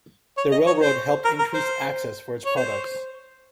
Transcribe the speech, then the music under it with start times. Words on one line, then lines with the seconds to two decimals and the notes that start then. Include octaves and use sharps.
The railroad helped increase access for its products.
0.38 C#5
0.52 D#5
0.67 C#5
0.81 C5
1.25 A#4
1.39 A#4
1.54 C5
2.46 C#5
2.56 C5